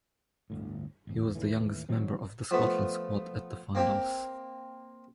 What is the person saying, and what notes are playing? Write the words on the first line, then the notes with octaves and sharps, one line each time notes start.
He was the youngest member of the Scotland squad at the finals.
G1 D2 A2
D1 G#1 E2
D#2 A2 E3
D#3 F#3 G#3 C4
F3 A3 B3
A#3 C4 G4